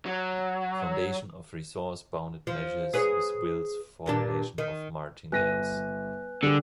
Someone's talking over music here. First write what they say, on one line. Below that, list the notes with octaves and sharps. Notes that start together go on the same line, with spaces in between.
The foundation of resource-bounded measure is Ville's formulation of martingales.
F#3
F3
G#4 B4 C#5
G2 A#2 D4
D#3
G1 B4 G#5 F#6 A#6 D#7
D3 G3 G#4